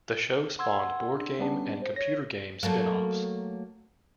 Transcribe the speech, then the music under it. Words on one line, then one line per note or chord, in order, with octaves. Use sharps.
The show spawned board game and computer game spin-offs.
F#5 C6 E6 G#6
D4
G3 B3 C#4 D4
C5
C#5 A#6
F#3 A3 A#3